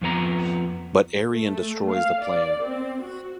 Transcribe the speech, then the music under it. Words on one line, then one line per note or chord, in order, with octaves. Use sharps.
But Aryan destroys the plan.
F2 F3 B3 A#5
A3
F5
D5
C4
F#4